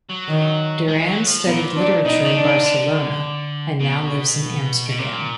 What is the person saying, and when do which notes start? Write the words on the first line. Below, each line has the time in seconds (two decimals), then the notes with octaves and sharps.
Duran studied literature in Barcelona and now lives in Amsterdam.
0.09 F#3
0.29 D#3
0.88 G#3
1.07 F#3
1.27 F3
1.46 A#2 B3
1.76 D4
2.05 B2 D#4
2.25 D#3
2.34 D4
2.44 D#3
2.63 D3
3.80 B2
4.89 B2
4.99 A#2